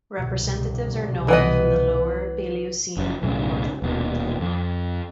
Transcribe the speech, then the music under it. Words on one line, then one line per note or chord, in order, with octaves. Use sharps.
Representatives are known from the Lower Paleocene of North America.
C2 B2 D3
E3 B3 D#5
F#1 F#2
B1 F#2 A2 C#3
D#1 D#2 B2
F2